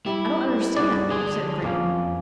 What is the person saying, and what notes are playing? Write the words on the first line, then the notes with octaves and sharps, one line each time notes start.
"I don't understand," said Graham.
G3 E4 E5
G2 F#4 G#4 D5
D3 G#4 C6
F2 F3 A#3 C#4